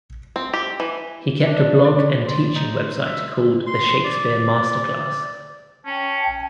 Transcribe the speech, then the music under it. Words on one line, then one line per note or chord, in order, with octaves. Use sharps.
He kept a blog and teaching website called "The Shakespeare Masterclass".
C4
G4
E3
D4
D5
C6
D#4
E5
C6
D5
C#4 G5 A5